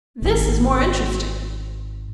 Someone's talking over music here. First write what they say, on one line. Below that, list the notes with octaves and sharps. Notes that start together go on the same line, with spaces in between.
This is more interesting.
D#1 G#1